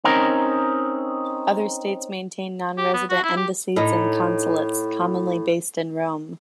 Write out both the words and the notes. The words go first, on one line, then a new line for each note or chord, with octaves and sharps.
Other states maintain non-resident embassies and consulates, commonly based in Rome.
C4 C#4 D#4 A#4
G4
B3
F#4
E4
G4
A2 D#4